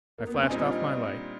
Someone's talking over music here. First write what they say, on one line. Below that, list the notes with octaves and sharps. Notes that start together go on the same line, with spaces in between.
I flashed off my light.
A#3
B3
C4
C#4
A#2 G3 C4 D4 D#4